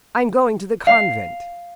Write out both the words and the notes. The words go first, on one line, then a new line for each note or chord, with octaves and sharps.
"I'm going to the convent."
F5